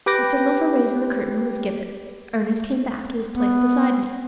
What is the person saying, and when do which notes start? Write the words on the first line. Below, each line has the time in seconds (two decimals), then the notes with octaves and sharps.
The signal for raising the curtain was given. Ernest came back to his place beside me.
0.06 G4 B4 G5 D6 A#6
3.29 B3